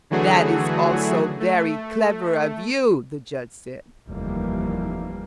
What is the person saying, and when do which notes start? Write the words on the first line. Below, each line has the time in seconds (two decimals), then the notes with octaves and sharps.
"That is also very clever of you," the judge said.
0.10 D3 E3 F#3 A3 F#4 G#4
1.40 A3
4.09 F1 D#2 E3 G3 A#3